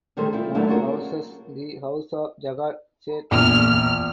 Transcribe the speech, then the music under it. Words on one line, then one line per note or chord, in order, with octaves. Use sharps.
It now houses the House of Jagat Seth Museum.
D2 D#3 G3 A3 G#4 C5
C4 E4 F4
F#3 A3 A#3 D4 E4
C#4 D4 F4 F#4 G#4 A#4
A#1 E2 F6